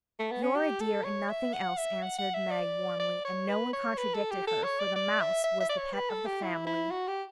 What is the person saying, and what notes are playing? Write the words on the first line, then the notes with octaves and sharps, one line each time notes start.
"You're a dear, and nothing else," answered Meg warmly, and no one contradicted her, for the 'Mouse' was the pet of the family.
A3
B3
C#4
G4
A4
C#5
E5
F#5
E5
F#5
F#5
E5
D5
D5
C#5
B4
C#5
B4
A4
G4
A4
C#5
D5
D5
E5
E5
E5
D5
C#5
B4
A4
G4
E4
E4
F#4
G4